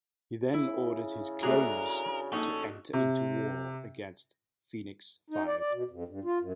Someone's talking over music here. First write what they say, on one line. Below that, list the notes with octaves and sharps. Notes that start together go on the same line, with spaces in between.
He then orders his clones to enter into war against the Phoenix Five.
C#3 E4
A3 D4 F#4 G#4 A#4
A#1 C#4 D#4 A4
C3
D#4
D5
D5
B2
F2
G2
F4
F#2